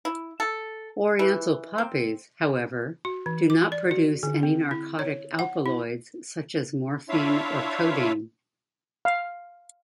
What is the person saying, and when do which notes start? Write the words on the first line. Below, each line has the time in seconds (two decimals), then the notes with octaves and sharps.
Oriental poppies, however, do not produce any narcotic alkaloids such as morphine or codeine.
0.05 E4
0.40 A4
1.19 E3
1.78 C4
3.05 F#4
3.26 E3
3.50 D6
3.72 D5
3.91 F#4
4.23 D3
4.43 C4
4.71 E4
4.99 C#5
5.39 F#5
5.66 E4
7.09 D4 E4 F4 C#5 E5 F5
9.05 F5